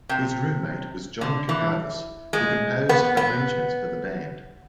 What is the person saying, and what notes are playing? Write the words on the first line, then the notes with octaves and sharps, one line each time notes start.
His roommate was John Cacavas who composed arrangements for the band.
C3
D3
E3
G#3
B3
B3